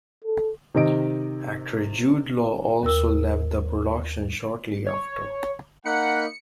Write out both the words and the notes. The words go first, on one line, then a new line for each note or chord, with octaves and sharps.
Actor Jude Law also left the production shortly after.
A4
C3 D#3 D#5 D7
D#2 A#4 E6
C#5
A#3 D#4 F#5 B5 C#7